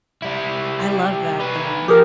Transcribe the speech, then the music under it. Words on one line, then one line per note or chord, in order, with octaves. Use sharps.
I love that though,
G3 E4
D#4 B4
F3 G4 G#4 A#4